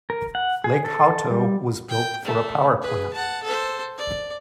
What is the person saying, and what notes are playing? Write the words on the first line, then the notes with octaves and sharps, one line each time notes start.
Lake Hauto was built for a power plant.
A#4
F#5
G#4
A4
G3
G5
A3
G#4 B4
F#5 A5
A4 C5
D5